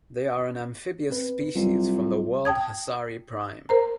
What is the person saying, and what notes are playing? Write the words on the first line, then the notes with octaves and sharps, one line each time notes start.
They are an amphibious species from the world Hasari Prime.
C4 B4
C2 F#3 G3 F4
G5 A5 D#6 G#6
A#4 C5 A#5